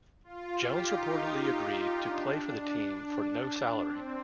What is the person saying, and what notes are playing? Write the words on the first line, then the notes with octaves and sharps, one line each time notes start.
Jones reportedly agreed to play for the team for no salary.
F4
G4
D#4
D4
C4